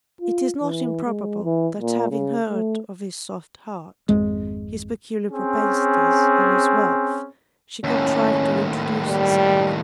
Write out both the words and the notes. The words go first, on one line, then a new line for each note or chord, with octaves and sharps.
It is not improbable that having heard of his soft heart, his peculiar propensities, and his wealth, she contrived to introduce herself.
F4
E3
G#3
E3
A#2
C#3
A3
G#1 F2 G#3
C4 C#4 G#4
D#2 A2 C#4
G3